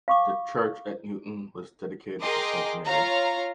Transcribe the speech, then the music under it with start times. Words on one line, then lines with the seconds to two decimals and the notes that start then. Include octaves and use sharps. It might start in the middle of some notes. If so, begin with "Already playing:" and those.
The church at Newton was dedicated to St Mary.
0.08 F5 C#6 D6
2.21 G#4 A#4 D#5 G5 C6 D6
2.85 F4 C#5 F5 A#5